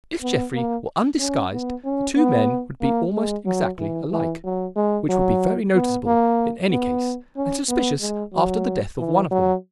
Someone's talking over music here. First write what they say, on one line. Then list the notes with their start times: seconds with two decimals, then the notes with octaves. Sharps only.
If Jeffrey were undisguised the two men would be almost exactly alike; which would be very noticeable in any case and suspicious after the death of one of them.
0.22 B3
0.54 A#3
1.19 C#4
1.52 B3
1.84 C#4
2.16 B3
2.81 A#3
3.14 G#3
3.46 F#3
3.79 E3
4.11 E3
4.44 F#3
4.76 G#3
5.09 F#3
5.74 B3
6.06 A#3
6.70 B3
7.36 C#4
7.68 B3
8.01 G#3
8.33 F#3
8.98 E3
9.31 F#3